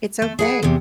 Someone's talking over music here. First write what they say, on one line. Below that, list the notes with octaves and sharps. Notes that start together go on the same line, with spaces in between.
It's okay.
A3
G#4 B4 F#5
E2 C3